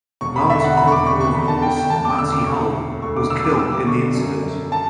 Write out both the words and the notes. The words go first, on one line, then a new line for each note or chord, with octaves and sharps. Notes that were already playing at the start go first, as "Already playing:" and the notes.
Lance Corporal of Horse Matty Hull was killed in the incident.
E1 C#6
B5
D3 E5
F#5
E2 B5
C#6
D6
D3 C#6
C#6
E2 B5
A5
E2 G5
G5
E2 A5
D6
D3 E6
D6
D2 C#6
E1
D2 C#6
D6
D3 E6
D6
G3 E6
D6
D3 C#6
F#2
F#2
A5